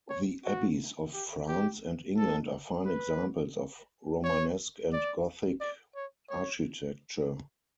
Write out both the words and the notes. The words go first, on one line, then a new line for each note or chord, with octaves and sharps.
The abbeys of France and England are fine examples of Romanesque and Gothic architecture.
C#5
F#4
G4
G4
A4
B4
C#5
D5
D5
C#5
C#5